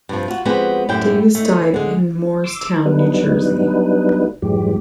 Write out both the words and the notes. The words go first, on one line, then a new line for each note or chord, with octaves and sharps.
Davis died in Moorestown, New Jersey.
G2 C3 F3
F4 F#4
F3 G#3 B3 C4 F#4 G4
F#2 A2 E4 G4 G5
A3 D#4
D3 G#3
C6 D6 E6
F#3 G3 B3 D4 D#4 B4
F2 G#2 E3 F#3 G#3 G4